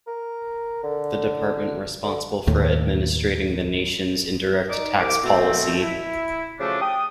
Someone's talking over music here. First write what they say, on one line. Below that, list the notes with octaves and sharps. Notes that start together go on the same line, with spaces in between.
The department responsible for administrating the nation's indirect tax policy.
A#4
D3
D3
D#2 A2
D#4 D5
C2 D6
B2 A3 C4
E4
C#3 F3 F#3 A3 D4
G5 D#6